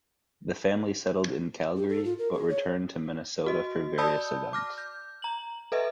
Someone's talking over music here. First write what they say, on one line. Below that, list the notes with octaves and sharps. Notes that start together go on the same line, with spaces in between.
The family settled in Calgary, but return to Minnesota for various events.
G4
A4
F4
A#4
G#4
C#5
F#4 D#5
D5 A5 B5 D#6 E6 G6
D6 F6 A#6
G6
A#5 F#7
A4 B4 D#5 E5